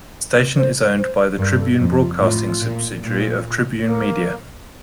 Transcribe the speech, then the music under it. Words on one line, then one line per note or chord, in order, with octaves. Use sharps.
The station is owned by the Tribune Broadcasting subsidiary of Tribune Media.
C5
C5
G2 A#4
A4
F2
F4
A2 F4
A#2
A#2
A#3